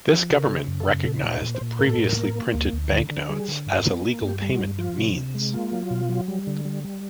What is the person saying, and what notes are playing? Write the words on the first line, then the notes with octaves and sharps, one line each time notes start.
This government recognized the previously printed banknotes as a legal payment means.
F3
C#3 G4
A#4
C#3 A4
G#4
F#2
A4
C#3
A#2 A4
A#2
B4
A#2
C5
A#2
A2 A#4
A4
A2 A#4
A#3
A#3
D2
D2
D3
D3
G3 G#4
D3
G2
B3
A#3
G2
G4
G3
F#4
G2
F3 F4
C3
C3
G#3
A#3 F4
F#3
B2
F#3
G3
D3
G3
G3